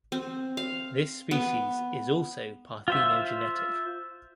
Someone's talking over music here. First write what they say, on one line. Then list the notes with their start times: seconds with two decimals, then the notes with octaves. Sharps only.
This species is also parthenogenetic.
0.12 C4
0.57 F5
1.31 B3
2.88 F4 C5 E5